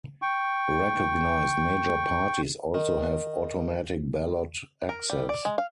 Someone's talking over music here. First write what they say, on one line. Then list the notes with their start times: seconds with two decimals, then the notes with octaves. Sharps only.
Recognized major parties also have automatic ballot access.
0.22 G5 C#6
2.74 D#3
4.89 A#4
5.10 G3
5.29 D5
5.45 G#3
5.58 F5